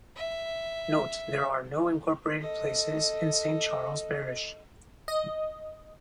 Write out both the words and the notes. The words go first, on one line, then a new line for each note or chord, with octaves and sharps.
Note: There are no incorporated places in Saint Charles Parish.
E5
A4 D#5
D#5